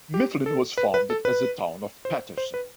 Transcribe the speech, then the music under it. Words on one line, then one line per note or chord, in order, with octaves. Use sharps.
Mifflin was founded as the town of Patterson.
G4
A4
B4
B4
A4
B4
C5
C5
B4